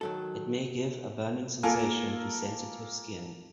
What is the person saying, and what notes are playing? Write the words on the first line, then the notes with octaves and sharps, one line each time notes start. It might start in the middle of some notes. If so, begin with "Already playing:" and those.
It may give a burning sensation to sensitive skin.
D#3 F#3 A4
A#3 F4 A4 A#4 G#5